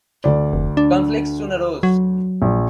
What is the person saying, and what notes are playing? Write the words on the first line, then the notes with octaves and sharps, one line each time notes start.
Conflicts soon arose.
D2 D5
F1
D4
F#3
A#1